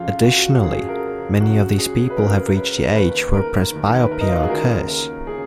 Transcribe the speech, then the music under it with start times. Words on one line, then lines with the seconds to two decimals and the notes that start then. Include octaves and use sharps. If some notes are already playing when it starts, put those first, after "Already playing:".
Additionally, many of these people have reached the age where presbyopia occurs.
Already playing: F2 C#3 F4
0.23 F#4
0.62 F2 C#3 G#4
0.88 A#4
1.40 C#2 C#3 F#4
1.78 G#4
2.10 B4
2.17 C#2 C#3 A#4
2.56 B4
2.94 D#2 D#3 B4
3.33 A#4
3.72 D#2 D#3
4.01 B4
4.12 A#4
4.21 D#4
4.28 F4
4.35 F#4
4.43 G#4
4.50 D#2 C#3 A#4
4.88 A#4
5.27 C#3 G#4